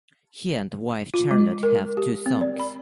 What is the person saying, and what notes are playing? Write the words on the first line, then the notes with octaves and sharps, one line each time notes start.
He and wife Charlotte have two sons.
F4
G#3
A#4
G4
C4
D5
B5